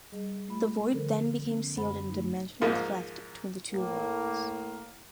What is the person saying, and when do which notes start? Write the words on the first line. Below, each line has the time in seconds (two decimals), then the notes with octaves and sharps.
The Void then became sealed in a dimensional cleft between the two worlds.
0.12 G3 G#4 D#5
0.48 A3 F4 B5
0.93 D3 F3 A4 A#4 C5
1.45 D3 B3 C#4
1.76 F#2 C5 F#5 B5
2.09 A3 D#4
2.61 G#2 F3 A#3 D#4 F4
3.70 A2 A#3